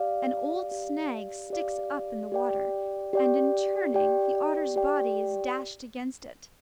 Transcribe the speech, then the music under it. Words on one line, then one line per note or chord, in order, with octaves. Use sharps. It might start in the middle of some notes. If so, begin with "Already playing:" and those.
An old snag sticks up in the water, and, in turning, the otter's body is dashed against it.
Already playing: G4 D5 F5
G4 D5 F5
G4 D5 F5
G4 D5 G5
G4 D5 G5
G4 D5 G5
G4 D5 G5